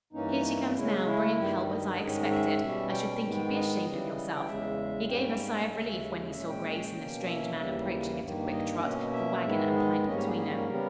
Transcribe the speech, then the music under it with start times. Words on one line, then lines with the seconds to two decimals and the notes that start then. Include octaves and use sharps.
"Here she comes now, bringing help as I expected I should think you'd be ashamed of yourself." He gave a sigh of relief when he saw Grace and the strange man approaching at a quick trot, the wagon and plank between them.
0.13 G2 E3 A#3 C#4 D#4
0.75 C#3 G#3 C#4 E4
0.90 G#4
1.06 E4
1.37 G2 D#3 G3
1.68 D#5
1.99 G#2 D#3 G#3 C#4
2.30 E5
2.61 B2 G3 C#4
2.91 G5
3.23 G#2 D#3 G#3 B3
3.55 D#5
3.85 C#3 E3 G3
4.35 G5
4.47 E2 C#3 G#3 E5
5.09 G#2 G3 A#3 C#4 G5
5.71 D#2 C#3 G#3 C#4 E5
6.27 D#5
6.33 A#2 G#3 C#4 E5
6.49 G5
6.95 B2 A#3 C#4
7.26 E5
7.58 D#2 C#3 E3 G3 A#3
8.20 G2 D#3 A#3
8.51 D#5
8.81 B2 A#3 C#4
9.12 E5
9.44 G#2 D#3 G#3 B3
9.75 D#5
10.06 G#2 G3 A#3 C#4 D#5
10.16 C#5
10.26 G#4
10.37 G#4
10.57 A#4
10.67 C#3 G3 B3 A#4